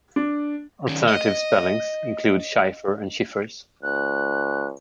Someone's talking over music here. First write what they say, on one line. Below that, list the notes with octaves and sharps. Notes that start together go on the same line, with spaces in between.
Alternative spellings include Schifer and Schiffers.
D4
D#3 C#4
D#5
C#2 F#6